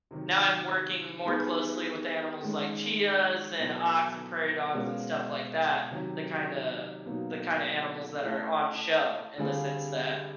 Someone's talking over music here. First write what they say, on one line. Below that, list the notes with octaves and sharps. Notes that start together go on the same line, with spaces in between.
now I'm working more closely with animals like chias, and ox, and prairie dogs, and stuff like that. The kinda the kinda animals that are on the show, in the sense that,
C3 D#3 F#3
G3 B3 D#4 G#4 B4
D#3 G#3 C#4
B2 F#3 B3 E4 A4
B2 G#3 C#4 F4 A#4
C3 D#3 F#3
B2 F#3 A#3 D#4
A3 C#4 E4 A4
D3 G3 C4 F4 G#4